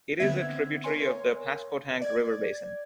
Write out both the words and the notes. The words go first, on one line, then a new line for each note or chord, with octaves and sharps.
It is a tributary of the Pasquotank River Basin.
D3 B3 C4 E5 G#6
A#4 C#5 G#5 C6
D5 G#6